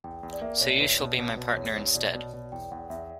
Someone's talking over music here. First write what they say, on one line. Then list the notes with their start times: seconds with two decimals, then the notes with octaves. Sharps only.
So you shall be my partner instead.
0.04 E2 G5
0.23 E2
0.33 D5
0.41 A#3 E5
0.60 B2 C#5
0.80 E2 B4
1.00 B2
1.19 B2
1.37 B2
1.57 E2 C#5
1.76 E2
1.94 B2 D5
2.14 B2
2.33 B2
2.52 E2 G5
2.71 E2 F#5
2.90 E2 E5